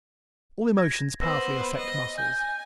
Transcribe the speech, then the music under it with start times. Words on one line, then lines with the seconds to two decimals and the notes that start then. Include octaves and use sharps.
All emotions powerfully affect muscles.
0.77 G#6 A#6
1.21 B3 B4 C5 E6 A#6
1.77 D#5
2.18 G#5 G6